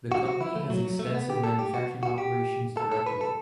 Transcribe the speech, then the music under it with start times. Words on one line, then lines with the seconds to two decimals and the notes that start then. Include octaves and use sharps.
The company has extensive manufacturing operations throughout the world.
0.12 F#4
0.26 F#4
0.41 E4
0.56 A3
0.70 F#3
0.85 F#3
0.99 A3
1.15 B3
1.30 G4
1.44 A4
1.59 G4
1.74 F#4
2.03 F#4
2.18 G4
2.77 A4
2.92 A4
3.06 B4
3.21 A4